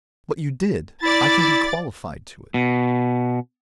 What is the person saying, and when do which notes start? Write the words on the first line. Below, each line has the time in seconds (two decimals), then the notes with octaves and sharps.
"But you did, I can be qualified to it."
1.03 E4 D5 A6
2.54 B2